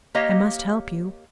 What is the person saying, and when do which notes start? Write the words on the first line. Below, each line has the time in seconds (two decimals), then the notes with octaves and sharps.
I must help you.
0.15 A#3 G4 C#5 D#5 F5